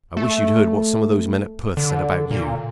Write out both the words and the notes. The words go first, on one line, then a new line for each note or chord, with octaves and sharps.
"I wish you'd heard what some of those men at Perth said about you."
A3
D3
A#2